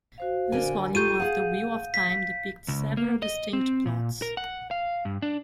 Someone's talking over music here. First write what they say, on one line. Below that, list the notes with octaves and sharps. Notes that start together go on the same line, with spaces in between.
This volume of "The Wheel of Time" depicts several distinct plots.
F#4 C5 F5
D3 A#4 G#5
F4 G4 A4 A#5 C#6 G6 D#7
G#4 F5 F#5
B6
C#2
A#3
D#5
C4
A#2
A#4
F#5
F5
G2
D4